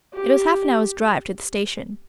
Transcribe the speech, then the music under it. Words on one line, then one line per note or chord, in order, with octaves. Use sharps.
It was half-an-hour's drive to the station.
G4